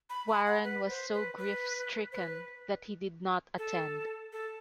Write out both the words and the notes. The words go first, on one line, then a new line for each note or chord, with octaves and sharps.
Warren was so grief-stricken that he did not attend.
B5
B5
F#5
B4
C5
B4
B4
C5
B4
A4
A4